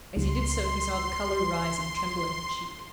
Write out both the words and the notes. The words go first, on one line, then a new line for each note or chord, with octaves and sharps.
As he did so he saw the colour rise and tremble in her cheek.
C#2 C6